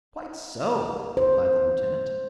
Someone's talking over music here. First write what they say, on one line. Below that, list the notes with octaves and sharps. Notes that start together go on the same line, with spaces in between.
"Quite so," replied the lieutenant.
C5